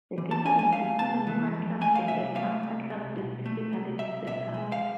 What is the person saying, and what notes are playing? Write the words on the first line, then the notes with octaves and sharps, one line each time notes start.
The difference between a normal class and a master class is typically the setup.
E3
A5
F2 G#5
G#5
A3 F5
C3 A5
E3
F2
A3 G#5
F5
C3 E5
A3 F5
C2
C2
B2
A3
C2
C2 E5
B2 E5
G#3
F5